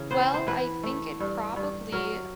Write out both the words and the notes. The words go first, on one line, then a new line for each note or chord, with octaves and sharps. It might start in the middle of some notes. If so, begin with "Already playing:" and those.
Well, I think it probably i
Already playing: C#3 E3
B3 C5
C5
E3 B4
A3
G2
G2
F#3 A#4